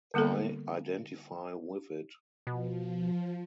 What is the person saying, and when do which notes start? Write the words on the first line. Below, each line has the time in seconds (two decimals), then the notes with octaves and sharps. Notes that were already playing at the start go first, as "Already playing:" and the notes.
I identify with it.
0.14 D3 G3 A#3 B3 A4
2.47 B2 F3